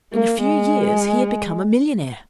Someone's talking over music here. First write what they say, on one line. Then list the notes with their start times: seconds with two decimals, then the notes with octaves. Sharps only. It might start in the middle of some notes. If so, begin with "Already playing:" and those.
In a few years, he had become a millionaire.
0.13 A#3
0.41 G#3